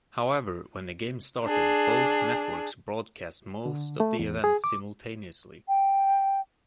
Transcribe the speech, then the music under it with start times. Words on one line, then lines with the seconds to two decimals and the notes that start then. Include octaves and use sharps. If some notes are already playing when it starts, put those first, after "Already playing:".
However, when the Games started, both networks broadcast most of the events simultaneously.
1.44 D4 G#4
3.66 D3
4.00 A3
4.19 E2
4.44 G#4
4.64 D6
5.68 G5